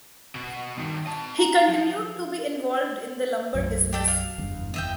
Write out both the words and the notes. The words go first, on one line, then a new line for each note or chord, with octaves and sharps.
He continued to be involved in the lumber business.
B2 F#4
G2 D#3
D#5 A5
A#5
F3
B1 F#2 F#3
G4 A4 G5
F5
F#1 E2 G2
F#1 E2 D#5 E5 G5